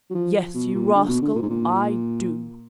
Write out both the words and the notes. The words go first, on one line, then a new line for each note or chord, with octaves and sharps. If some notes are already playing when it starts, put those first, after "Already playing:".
"Yes, you rascal, I do."
F#3
F3
B2
A#2
D3
B2
D3
A#2
G#2
A#2